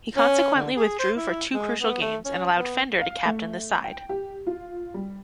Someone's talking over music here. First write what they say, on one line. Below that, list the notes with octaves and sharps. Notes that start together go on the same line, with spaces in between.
He consequently withdrew for two crucial games, and allowed Fender to captain the side.
C#4
D3
G#4
C5
E4
G#3
B3
A3
C#4
B3
F5
A3
G5
G4
F4
G3